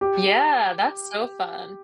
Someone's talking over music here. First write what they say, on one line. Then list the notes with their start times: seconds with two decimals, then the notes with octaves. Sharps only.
Yeah, that's so fun.
0.01 G4